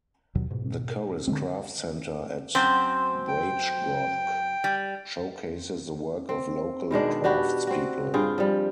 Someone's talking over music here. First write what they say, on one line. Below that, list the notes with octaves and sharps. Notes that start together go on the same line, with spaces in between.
The Corris Craft Centre at Braichgoch showcases the work of local craftspeople.
D#2 B2 F#3
G#2 B2
D3 F#3 G#3 C4
F#2 C4 C5
G5
G3
C4
B2 D#3 G#3 D4
D4 F#4 G4 B4
C4 F#4
G2 F4 G#4 G5
F3 G3